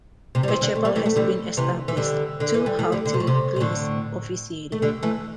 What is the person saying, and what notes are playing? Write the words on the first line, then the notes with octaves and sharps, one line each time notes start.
A chapel has been established, two haughty priests officiating.
C3
G3
C3 E3
D3 G3
A3
G3
E3 A3
A3
D3 G3
C3 E3
E3
D3 G3
D3
E3
G3
E3 A3
D3 G3
D3
C3
A2
C3
C3
A2 D3
A3
D3 G3
E3 A3